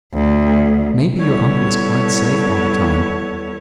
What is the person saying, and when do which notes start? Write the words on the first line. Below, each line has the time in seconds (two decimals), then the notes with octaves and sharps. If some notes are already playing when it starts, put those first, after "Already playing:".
Maybe your uncle is quite safe all the time.
0.14 D2
1.18 G3 B3 E4 A4 C#5